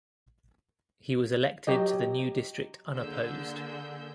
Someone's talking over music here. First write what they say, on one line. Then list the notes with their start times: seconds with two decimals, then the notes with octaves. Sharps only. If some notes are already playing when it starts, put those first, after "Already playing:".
He was elected to the new district unopposed.
1.67 F#3 G4 D#5
2.95 D3 A#3 G#4 E6 G6